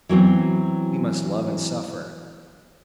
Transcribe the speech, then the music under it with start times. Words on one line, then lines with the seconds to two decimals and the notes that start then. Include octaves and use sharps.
We must love and suffer....
0.09 E3 F#3 B3 C4